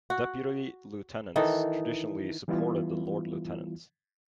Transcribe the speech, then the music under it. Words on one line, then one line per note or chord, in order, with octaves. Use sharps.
Deputy Lieutenants traditionally supported the Lord-Lieutenant.
F#4
D#3 E3 D#4 A4
E3 G3 B3 E4 F4